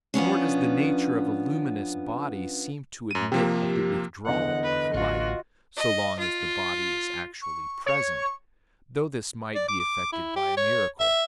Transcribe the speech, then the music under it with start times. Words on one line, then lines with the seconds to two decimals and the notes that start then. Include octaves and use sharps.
Nor does the nature of a luminous body seem to admit of the withdrawal of light, so long as the body is actually present; though this might be effected by a miracle.
0.14 F3 B3 C#4 D4
3.11 F#2 D#7
3.32 C3 F3 A#3 G4
4.26 E2 D3 D#5 F#5
4.63 B4
4.94 A1 F4 F#4
5.76 D#5
6.19 F4
7.42 C#6
7.86 C#5 C#6
9.55 D5
9.68 D6
9.80 D6
10.13 E4
10.36 G4
10.57 C#5
11.00 E5